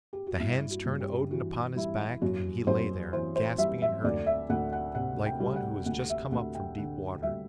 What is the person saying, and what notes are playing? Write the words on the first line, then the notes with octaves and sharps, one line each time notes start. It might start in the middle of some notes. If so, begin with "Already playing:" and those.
The hands turned Odin upon his back and he lay there, gasping and hurting, like one who has just come up from deep water.
G4
F#4
G2 E4
F#4
G2
G4
E3 F#4
G3 E4
F#2 F#4
F#2 C5
E3 C5
C5
G3 E5
E5
D2 D5
E5
D2 F#5
F#5
C3 F#5
G5
G3
F#5
D2 F#5
E5
D2 F#5
G5
D3 F#5
G3 E5